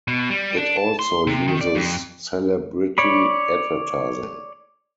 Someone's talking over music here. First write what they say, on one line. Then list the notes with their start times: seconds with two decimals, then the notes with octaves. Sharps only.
It also uses celebrity advertising.
0.08 B2
0.30 G3
0.57 D4
0.77 A5
0.99 C6
1.27 C3
1.48 D#3
1.61 D5
1.75 F2
2.98 C#5 D5 B5